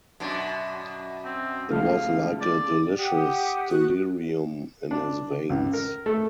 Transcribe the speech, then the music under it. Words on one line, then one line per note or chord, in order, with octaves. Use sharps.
It was like a delicious delirium in his veins.
F#2 B2 D4
C4
C#2 F3 A3 F5
D5
G4 F#5 D#6
F#4 D#6 F#6
D4
C#2
A#4
A3